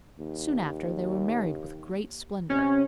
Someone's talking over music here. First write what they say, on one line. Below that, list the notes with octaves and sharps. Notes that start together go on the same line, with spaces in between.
Soon after, they were married with great splendour.
D#2
C3 C#4